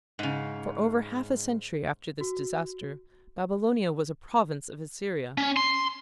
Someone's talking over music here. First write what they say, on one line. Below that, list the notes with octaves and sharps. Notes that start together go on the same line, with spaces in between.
For over half a century after this disaster Babylonia was a province of Assyria.
G#2 C#3
F#4
C#4
C6